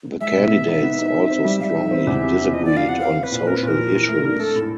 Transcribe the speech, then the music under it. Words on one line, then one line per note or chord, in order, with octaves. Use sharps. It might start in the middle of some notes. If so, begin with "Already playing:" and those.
The candidates also strongly disagreed on social issues.
G#3 E5
B2
B3
D#4
B3
D#4
D#4
C4
G3
G3 E5 F5
D#4
C4
E2
C3
C3
F3 D#5
F3 D5
F5
C3 F#5
C4 F5
C4
B4
A#2
C4 A#4
B4
A#2 A#4
F3
E3
A3
D4
A3 A4
A2